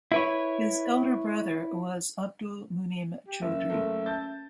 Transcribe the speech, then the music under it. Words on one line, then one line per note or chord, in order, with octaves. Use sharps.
His elder brother was Abdul Munim Chaudhury.
E4 B4 C#5
G4
F#1 C#4 E5
F#1 A3
A5 G6 A6